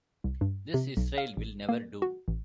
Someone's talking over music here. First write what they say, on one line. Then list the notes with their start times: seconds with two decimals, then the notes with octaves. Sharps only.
This Israel will never do.
0.24 C2
0.41 G2
0.74 C3
0.97 B1
1.18 F5
1.37 A1
1.69 A#3
2.02 F#4
2.28 A1